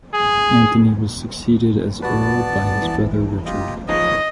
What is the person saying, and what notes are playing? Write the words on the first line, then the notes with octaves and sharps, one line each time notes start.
Anthony was succeeded as earl by his brother, Richard.
G#4
B3 F#4 B4 D5 A5
E3
F4 G4 D#5
F3 D#4 G#4 B4 C#5 D#5 D#6